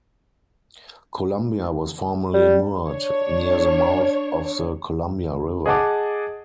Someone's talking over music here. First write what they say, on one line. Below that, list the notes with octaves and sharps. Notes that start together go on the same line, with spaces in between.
"Columbia" was formerly moored near the mouth of the Columbia River.
G3
D4 C#5
G#4 D#5 F#5 A5 D6